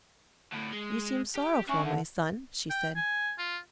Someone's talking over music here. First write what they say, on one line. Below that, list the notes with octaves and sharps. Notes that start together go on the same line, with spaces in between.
'You seem sorrowful, my son,' she said.
D2 A2
G#3
G4
C#4 D4 E5
D3
G5
G#5
F4